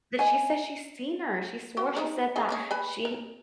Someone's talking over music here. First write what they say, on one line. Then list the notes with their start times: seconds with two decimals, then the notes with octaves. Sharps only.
That she said she's seen her. She swore, she said that she
0.19 D#5 G#5
1.77 C4 F#4
1.97 D#4 C5 D5
2.36 G#4 D#5 G#5
2.49 A#3 C#4 G#4
2.71 B4 G#5 B5
3.05 A#4